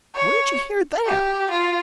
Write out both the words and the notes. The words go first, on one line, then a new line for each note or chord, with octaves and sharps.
"Where'd you hear that?"
C#5
G4
F4